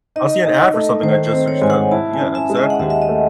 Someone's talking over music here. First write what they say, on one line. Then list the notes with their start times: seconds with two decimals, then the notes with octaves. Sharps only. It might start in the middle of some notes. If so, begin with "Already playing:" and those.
I'll see an ad for something I just searched up, yeah, exactly.
0.16 D#4 D#5
0.46 D#4
0.74 A3
1.03 D#3 C5
1.25 C5
1.33 C4
1.48 C#5
1.62 G#2 G#5
1.70 F#5
1.91 E4 A5
2.14 G#5
2.21 C#4
2.35 E5
2.50 G#3
2.57 D#5
2.70 F#5
2.79 D#2 E5
2.90 E5
3.02 D#5
3.09 A3